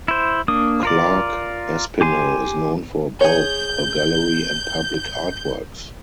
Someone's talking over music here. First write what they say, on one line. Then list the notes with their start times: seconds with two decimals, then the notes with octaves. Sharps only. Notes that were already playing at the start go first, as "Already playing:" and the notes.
Clark Espinal is known for both her gallery and public artworks.
0.08 E4 C5
0.48 A#3 D4 D#6
0.83 F4 A#4 D5
2.01 G4 G#5 C6
3.21 G#4 C#5 G6